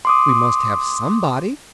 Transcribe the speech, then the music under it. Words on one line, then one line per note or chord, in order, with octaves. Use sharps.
"We must have somebody!"
C6 D6 D#6